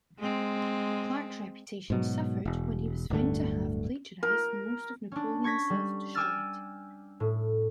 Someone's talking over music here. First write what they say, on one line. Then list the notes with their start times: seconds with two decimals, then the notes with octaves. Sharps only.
Clark's reputation suffered when he was found to have plagiarized most of Napoleon Self-Destroyed.
0.19 G#3 C4
1.90 G#2 B2 F#3
2.45 E1
3.10 D1 G2 D3 A3
4.23 A#4
5.12 C#4 D4
5.44 C#6 G#6 A#6 B6
5.70 G3
6.15 G5 G#5 D6 E6 F6 A6
7.20 A2